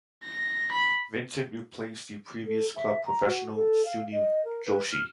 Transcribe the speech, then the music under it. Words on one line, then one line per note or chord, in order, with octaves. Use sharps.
Vincent replaced the previous club professional, Sunil Joshi.
A#6
B5
A4
E5
A#5
F#4
A4
F5
D#5
A#4
B4
F6